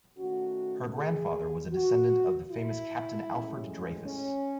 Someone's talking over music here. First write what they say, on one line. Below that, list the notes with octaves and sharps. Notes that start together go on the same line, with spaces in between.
Her grandfather was a descendant of the famous Captain Alfred Dreyfus.
D#3 A3 C#4 F#4
G#4
F#4
E4
A2 G#3 C#4
C#4